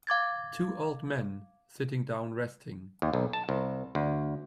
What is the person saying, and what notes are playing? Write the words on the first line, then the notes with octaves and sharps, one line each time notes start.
Two old men sitting down resting.
F5 D6 G#6 A6
D#2
B1
A5
C2
D2